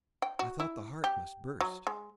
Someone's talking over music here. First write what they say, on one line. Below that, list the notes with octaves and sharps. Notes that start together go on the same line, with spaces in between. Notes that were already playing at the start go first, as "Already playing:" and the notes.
I thought the heart must burst.
G5
F#4
E4
G4
F#3
G#3